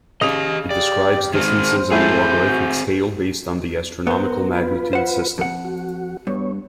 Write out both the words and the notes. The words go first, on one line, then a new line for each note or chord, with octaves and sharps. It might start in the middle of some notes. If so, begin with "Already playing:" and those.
It describes distances on a logarithmic scale based on the astronomical magnitude system.
C#3 G4 D#5 D#6 F7
G4 D5
D#3 G#3 C4 C5 F6
G#2 A3 C4 E4 G#4 G6
F#4
B3 A#4 C5
F4 B4
C5 F#5
F2 F#5
F#4
G2 B3 C#5